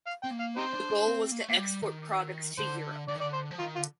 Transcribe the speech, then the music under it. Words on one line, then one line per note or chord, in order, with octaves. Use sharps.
The goal was to export products to Europe.
F5
C4 G5
A#3
F5
C4 D#4 G4 C5
D4
D4
C4
A#3
A3
A#3
G3
D#3
D3 C5
D3 D5
D#3
D3 D5
C5
F3
D#3 F4
D3 F4